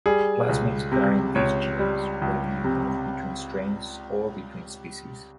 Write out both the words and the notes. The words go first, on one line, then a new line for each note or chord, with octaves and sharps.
Plasmids carrying these genes readily move between strains or between species.
G3 G#4
C#2
C3
C#2 C#5
G3
C#2
C3